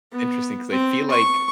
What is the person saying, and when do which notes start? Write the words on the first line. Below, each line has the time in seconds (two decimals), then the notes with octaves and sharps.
interesting 'cause I feel like
0.12 B3
0.70 C4
1.10 C#6